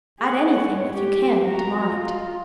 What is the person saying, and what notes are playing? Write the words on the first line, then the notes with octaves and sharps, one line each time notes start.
Add anything if you can to mind!
G#4 F#5
C#5
G4
F#4 A#5
F4